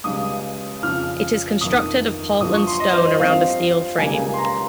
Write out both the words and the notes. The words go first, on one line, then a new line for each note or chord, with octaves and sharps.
It is constructed of Portland stone around a steel frame.
C#2 C#3 G3 D#6
F2 C#3 F3 F6
G1 F2 D#3 D#6
G1 G2 F3 D#6
C#6
C6
D#5
C5
D#5
G2 F3 C4 F5
C#2 C#3 G3 A#3 G#5
C6
A#5